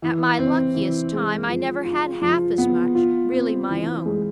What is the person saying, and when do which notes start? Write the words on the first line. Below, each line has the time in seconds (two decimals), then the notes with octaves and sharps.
At my luckiest time, I never had half as much, really my own.
0.02 E3
0.39 C4
0.75 E3
1.12 G#3
1.48 F3
1.85 F4
2.22 F3
2.58 B3
2.95 F4
3.32 C4
3.69 E3
4.06 G#3